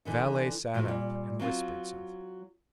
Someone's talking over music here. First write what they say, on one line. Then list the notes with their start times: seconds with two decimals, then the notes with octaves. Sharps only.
The valet sat up and whispered something.
0.05 D3 E3 D#4
0.74 A2 F3 F#3
0.88 A#2 G3
1.39 F#3 C4 F4